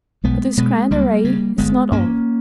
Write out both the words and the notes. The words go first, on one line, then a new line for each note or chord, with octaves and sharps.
But this grand array is not all.
B1 G#3 B3
B2 G#3 B3
C#2 G3 A#3
C#3
G1 G#3 B3
G2 A#3 C#4